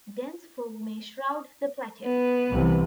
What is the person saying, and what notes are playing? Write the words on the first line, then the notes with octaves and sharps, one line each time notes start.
Dense fog may shroud the plateau.
B3 B4
C2 C3 E3